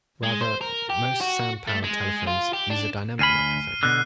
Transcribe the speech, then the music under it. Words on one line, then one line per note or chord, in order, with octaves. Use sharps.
Rather, most sound-powered telephones use a dynamic microphone.
G#3
C5
A#4
G4
F#4
A3
G#3
F4
G4
D4
D2 G#5 B5 F6 C7 D#7
B2 D3 F#6